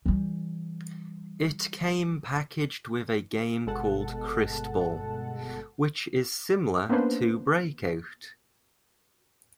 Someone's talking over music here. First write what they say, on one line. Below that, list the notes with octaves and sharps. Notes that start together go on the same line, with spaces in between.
It came packaged with a game called "Crystball", which is similar to "Breakout".
E3 G3
G1 B2 G#3 A4 F#5 A5
A#3 B3 C#4 D4 B4 C5